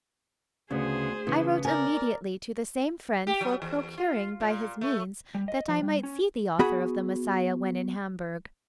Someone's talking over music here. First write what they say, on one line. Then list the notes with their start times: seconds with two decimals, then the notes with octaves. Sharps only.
I wrote immediately to the same friend, for procuring, by his means, that I might see the author of the 'Messiah' when in Hamburg.
0.71 D2 C#3 B3 G#4 C5
1.27 C#3 E3 B3
1.65 A#4 D5 G#5
3.27 G4
3.41 F#3
3.62 E2
3.98 F4
4.41 A#2
4.81 A3
5.35 G3
5.48 D#5
5.68 F3
5.82 G3
6.03 C#4
6.59 B3 F#4 G#4 B5